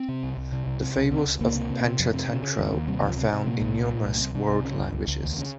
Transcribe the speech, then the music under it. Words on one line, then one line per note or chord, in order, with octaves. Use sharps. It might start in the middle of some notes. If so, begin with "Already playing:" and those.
The fables of "Panchatantra" are found in numerous world languages.
Already playing: C4
C3
C2
C2
C3
C2
C3
C2
C#2 C4
C#2
C#2 A#3
C3
C3
C3
F2
C3
C#3
C#3
D#2
D#2
C3 G3
C#2 F3
C3
C3
A#2 A#3
C2
A#2
A#2
C2
C3
C3
C2
C#3
C#2
C#2
C#2
D#2
C#3